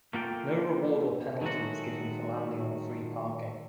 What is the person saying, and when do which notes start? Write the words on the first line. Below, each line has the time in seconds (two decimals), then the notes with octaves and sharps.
No reward or penalty is given for landing on Free Parking.
0.13 A3 A#3 F4 F#5 G5
1.41 D#3 F#3 G#3 A3 F#4